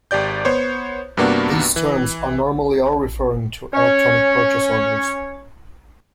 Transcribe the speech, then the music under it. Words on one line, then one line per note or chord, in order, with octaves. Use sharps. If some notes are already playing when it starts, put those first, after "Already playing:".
These terms are normally all referring to Electronic Purchase Orders.
G#1 G4 D5 G6
B3 C5 C#5
G2 C3 A#3 B3 D4 F#4
E3
C#4 C#5